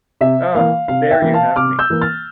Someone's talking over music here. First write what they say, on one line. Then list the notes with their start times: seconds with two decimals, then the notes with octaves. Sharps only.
Ah, there you have me.
0.21 C3 E5
0.55 E3 A#3 F5
0.88 C3 F5
1.11 E5 G5
1.22 E3 A#3
1.34 F5 A5
1.56 C3 D6 F6
1.79 E6 G6
1.90 E3 A#3
2.01 F6 A6